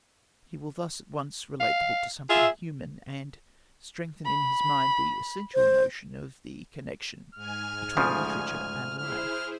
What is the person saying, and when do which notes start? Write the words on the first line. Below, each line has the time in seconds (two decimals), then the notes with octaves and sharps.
He will thus at once relate the book to something human, and strengthen in his mind the essential notion of the connection between literature and life.
1.60 F5
2.30 F4 G#4 E5
4.25 B5
5.55 C5
7.35 G#2 G#5 F6
7.97 D2 C#3 F3
8.99 E4 G#4 C5 F6